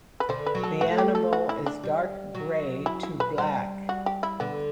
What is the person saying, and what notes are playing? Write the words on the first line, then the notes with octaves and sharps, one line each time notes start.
The animal is dark grey to black.
B4
D3 C5
B4
F#3
A4
A3 F#4
G4
A4
F#4
E4
D4
G3
F#3
E4
E4
B4
G3 C5
F#4
G4
E4
D3 B3